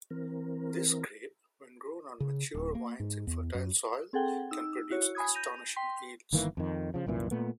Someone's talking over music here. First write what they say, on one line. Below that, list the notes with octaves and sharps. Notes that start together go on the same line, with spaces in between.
This grape, when grown on mature vines in fertile soil, can produce astonishing yields.
E3 C4 A#4
C#3
D1
A#3
G#2
E2
F#2
C4 G#4 A4 F#5 G5
D#4 E6
E4 F#4 C#5
G#5 B5 D#6 G#6
G6 A#6 D#7 F7
G5 C6 B6
G1 D#3 E3 A#3
F2 D#3
C#3 F3
C2 F#2 A#2 E3
A#2 A3 B3